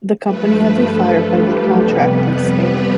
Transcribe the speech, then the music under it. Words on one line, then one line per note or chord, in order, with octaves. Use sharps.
The company has a firefighting contract in Spain.
G2 F3 A3 B4
A4
F4
G4
F2 C3 G3 B3 B4